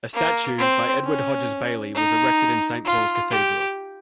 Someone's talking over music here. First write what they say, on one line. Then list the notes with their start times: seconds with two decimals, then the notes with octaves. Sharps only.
A statue by Edward Hodges Baily was erected in Saint Paul's Cathedral.
0.14 A#3
0.58 C4
1.04 C#4
1.95 D#4
2.85 F4
3.31 G4